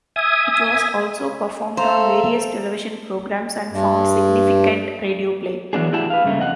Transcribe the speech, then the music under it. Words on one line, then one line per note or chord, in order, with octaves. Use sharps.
It was also performed on various television programs and found significant radio play.
E5 G#5 D#6
A4 C5 E5 F5 A#5
G2
E3 F#3 B3 D4 G#4
A2 E4 G4 G#4 F#5 A5
B4 F5
G2 C#3 A3 A#3
F2 D#5 F#5